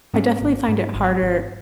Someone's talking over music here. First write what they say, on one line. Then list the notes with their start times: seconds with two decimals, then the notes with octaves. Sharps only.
I definitely find it harder
0.13 G#2 B3 C#4
0.41 G#1
0.68 G#2
0.95 G#1
1.22 G#1